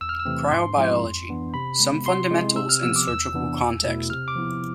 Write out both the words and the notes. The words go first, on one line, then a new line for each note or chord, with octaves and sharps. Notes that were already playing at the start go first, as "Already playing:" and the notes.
Cryobiology: some fundamentals in surgical context.
E2 E6
F6
E6
C3 E3 A3 C4
G#2 C6
F3 G#3 C4 E4
F2
E3 B3 D4
C3 B5
G#3 B3
C3 C6
G#3 C4 E4
C3 E6
F6
F3 B3 E6
D6
E2 E6
C3 E3 B3 D4
E2
B2 A3 E4
C3 F6
D6
F3 B3 E4